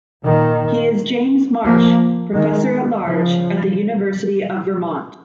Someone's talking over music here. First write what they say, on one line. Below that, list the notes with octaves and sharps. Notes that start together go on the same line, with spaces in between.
He is James Marsh Professor-at-Large at the University of Vermont.
A#2 D#3
F3 A#3
D#3 G#3
C#3 F3